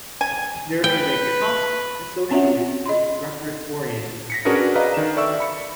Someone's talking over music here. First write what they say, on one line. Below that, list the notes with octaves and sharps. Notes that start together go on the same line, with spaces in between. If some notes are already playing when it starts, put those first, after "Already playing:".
There is a cost associated with record oriented.
G#5
B4 G5
C4 C#4 F4 C#5 E5 F#5
D#5 B5 C6
A#6 B6 C#7
C#4 D4 F#4 G#4 A#4 B4
B4 D5 D#5 F5 A#5
D#3 E7
A4 D5 E5 C#6 E6
B5 C#7